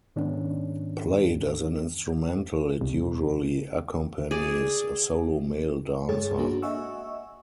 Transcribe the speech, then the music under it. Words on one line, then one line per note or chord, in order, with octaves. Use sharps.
Played as an instrumental, it usually accompanies a solo male dancer.
G#2 D#3 B3 C#4 D4
C2
G#4 D5
G2 G#3 G#4 A4 C#5 A6
A#3 D4 F#4
D#5 E5 F#5 G#5 C#6 E6